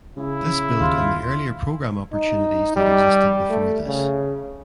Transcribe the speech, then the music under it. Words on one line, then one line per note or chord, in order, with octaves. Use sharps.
This built on the earlier programme opportunities that existed before this.
C#3 E4
D#2 F4
D#4
G3
A3
C#3